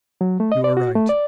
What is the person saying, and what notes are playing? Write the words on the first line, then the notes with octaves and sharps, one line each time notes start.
You are right.
F#3
A3
D#5
D5
F#4
A3
D5